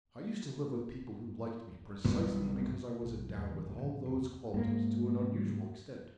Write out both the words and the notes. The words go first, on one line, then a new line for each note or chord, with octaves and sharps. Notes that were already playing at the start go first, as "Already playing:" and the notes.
I used to live with people who liked me precisely because I was endowed with all those qualities to an unusual extent.
B1 G2 B3
A#1 B2
D#2 F#3
G#1 D3 E3
G1 D2
A2 D3 D#3 F3
D#1 G#1 F2 C#3
G#2 A#3